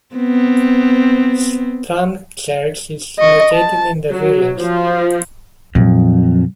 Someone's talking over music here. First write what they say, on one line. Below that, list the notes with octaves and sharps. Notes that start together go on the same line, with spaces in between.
Strand Church is located in the village.
B3 C4
D#5 C#6
A5
F#3
F3
F2 A#2 F#3